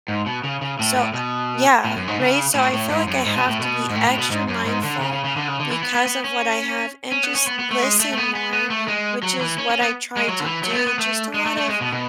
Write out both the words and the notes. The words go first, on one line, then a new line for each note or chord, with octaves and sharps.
So, I Yeah, right? So, I feel like I have to be extra mindful, because of what I have, and just listen more, which is what I try to do. Just a lot of
G#2
B2
C#3
C#3
A2
A2
B2
A2
F#2
G#2
C#3
A2
A2
G#2
F#2
G#2
B2
A2
B2
G#2
A2
A2
B2
G#2
F#2
G#2
D3
C#3
C#3
C#3
D3
C#3
D3
E3
B3
B3
B3
C#4
C#4
B3
C#4
B3
B3
A3
G#3
A3
A3
B3
B3
B3
A3
G#3
F#3
E3
C#4
C#4
B3
G#3
F#3
D3
E3
F#3
A3
B3
B3
A3
G#3
A3
A3
G#3
B2
B2